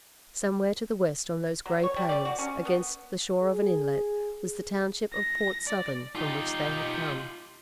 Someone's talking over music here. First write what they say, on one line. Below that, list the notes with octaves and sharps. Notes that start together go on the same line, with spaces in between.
Somewhere to the west on those grey plains, against the shore of an inlet, was the township of Port Southern from which they had come.
F#3
C#5
G3
D5
F#4
C#4
B3
G#4
A#6
D5
D#4 F4 G4